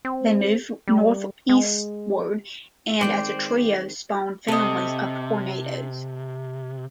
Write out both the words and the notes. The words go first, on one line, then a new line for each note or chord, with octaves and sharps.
They moved northeastward, and as a trio spawned families of tornadoes.
C4
G3
G#3
D#3 G#3 C4 C5 D5 G5
C3 A4 D#5